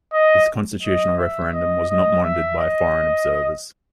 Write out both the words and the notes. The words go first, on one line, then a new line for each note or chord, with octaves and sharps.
This constitutional referendum was not monitored by foreign observers.
D#5
D#5
E5
D#5
D#5
E5
D#5